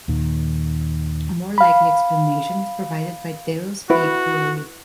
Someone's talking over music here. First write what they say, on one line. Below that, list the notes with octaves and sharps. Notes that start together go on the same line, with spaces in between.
A more likely explanation is provided by Devil's Peak Brewery.
D#2 A#2 D#3
F5 B5
E4 F#4 B4